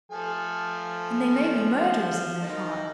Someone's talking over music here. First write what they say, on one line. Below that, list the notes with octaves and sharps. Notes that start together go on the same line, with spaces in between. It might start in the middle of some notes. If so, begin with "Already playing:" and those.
And they may be murderers in their hearts.
F3 A3 A4 G#5
D#3 D#4